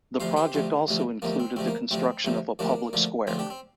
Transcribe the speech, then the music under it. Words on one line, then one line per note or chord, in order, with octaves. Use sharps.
The project also included the construction of a public square.
D2 C3 F3 C5 F5
G4 C5
D2 C3 F3
D2 C3 F3
D2 C3 F3 A#3
C4
D2 C3 F3 C4
A#3
D2 C3 F3 C4
D2 C3 F3
D2 C3 F3 A#3 D4
D2 D3 F3
D2 D3 F3 C4 F4
D4 G4
C4